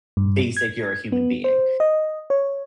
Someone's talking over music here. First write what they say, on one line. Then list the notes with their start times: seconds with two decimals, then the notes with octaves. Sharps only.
basic you're a human being,
0.17 G2
0.57 G#6
1.12 B3
1.44 C5
1.80 D#5
2.30 C#5